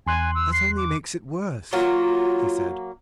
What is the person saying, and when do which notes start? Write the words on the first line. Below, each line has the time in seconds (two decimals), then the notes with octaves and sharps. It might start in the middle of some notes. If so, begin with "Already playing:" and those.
"That only makes it worse," he said.
0.07 E2 G#5 C6 F#6
0.35 E6
0.53 C7
0.77 D6
1.73 F#3 A#3 F4